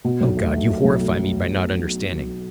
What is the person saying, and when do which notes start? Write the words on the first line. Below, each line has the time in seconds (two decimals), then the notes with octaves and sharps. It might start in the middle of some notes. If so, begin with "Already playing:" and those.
Oh, God, you horrify me by not understanding!
0.04 B2
0.21 B1
0.37 A3
0.53 A3
0.69 A3
0.84 B1
1.01 A3